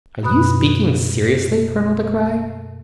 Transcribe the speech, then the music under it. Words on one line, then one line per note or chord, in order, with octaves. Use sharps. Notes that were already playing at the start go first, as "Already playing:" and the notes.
"Are you speaking seriously, Colonel De Craye?"
F#2 B2 B5 D#6 F#6